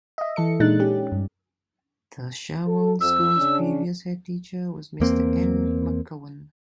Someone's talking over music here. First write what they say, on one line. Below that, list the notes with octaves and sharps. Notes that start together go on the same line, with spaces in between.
The Cherwell School's previous headteacher was Mr N McGowan.
D#5 E5
E3 A4 C#7
A#2 G#3 D4 D#4 F#6 A6
C#4 G4
G2
A4
F2 E6
C#3 C#4 D4
E2 A#3 C4